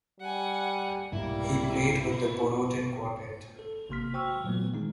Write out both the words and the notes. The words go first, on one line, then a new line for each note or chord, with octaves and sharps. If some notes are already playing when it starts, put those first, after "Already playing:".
He played with the Borodin Quartet.
G3 F#5 G#5
C2 G#2 B2 G3 A#3 E4
A4
G#1 C3 A#3 C6 F6 B6
F#4 C5 G5 C#6 E6 F6
A#2 E3 F#3 A3 B3
D#3 G#3 D#4